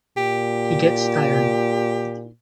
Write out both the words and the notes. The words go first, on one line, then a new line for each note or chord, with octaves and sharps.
He gets tired.
A#2 G4